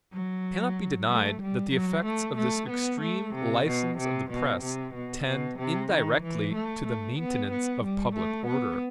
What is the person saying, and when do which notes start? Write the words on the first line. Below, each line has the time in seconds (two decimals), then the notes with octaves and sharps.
It cannot be denied that the effects of this extreme license of the press tend indirectly to the maintenance of public order.
0.13 F#3
1.09 A3
1.42 G3
1.73 F#3
2.05 A3
2.37 A3
2.69 B3
3.01 A3
3.34 C3
3.66 B2
3.98 C3
4.30 B2
4.62 C3
4.94 B2
5.26 B2
5.59 C3
5.91 D#3
6.23 E3
6.54 A3
6.88 A3
7.19 B3
7.51 B3
7.84 G3
8.15 A3
8.47 B3